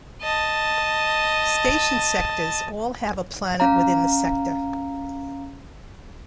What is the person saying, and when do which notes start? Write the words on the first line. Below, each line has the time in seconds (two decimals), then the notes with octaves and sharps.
Station sectors all have a planet within the sector.
0.22 D#5 A5
3.60 C#4 F5 A#5